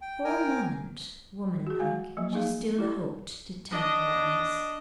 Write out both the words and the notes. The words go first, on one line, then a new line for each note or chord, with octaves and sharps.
For a moment--woman-like--she still hoped to temporise.
G5
A#4 G5 G#5
F#4 G#4
G#3 F5 G#5
F3 F#3 A#3
A#3 D#4 G#4 F5
E4 G4 D5
D4 D#5